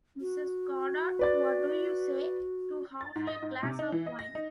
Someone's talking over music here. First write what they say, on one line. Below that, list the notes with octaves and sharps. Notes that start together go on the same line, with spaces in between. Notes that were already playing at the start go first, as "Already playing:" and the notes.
Mrs Goddard, what do you say to half a glass of wine?
F#4
B4 D5 A6
A6
G#2
D#5
G#2
C3
D#4
E3
D#5
A#6
D#4